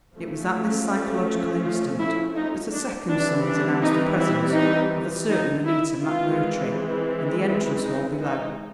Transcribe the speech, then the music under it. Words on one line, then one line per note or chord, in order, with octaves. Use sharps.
It was at this psychological instant that a second summons announced the presence of a certain Annita McMurtry in the entrance hall below.
F3 A3 C#4
F4
E4
D#4
D4
E3 G3 C4 D4
D4
D#4
E4
D#4
D#4
E4
E3 G#3 C4 F4
E4
D#4
D#4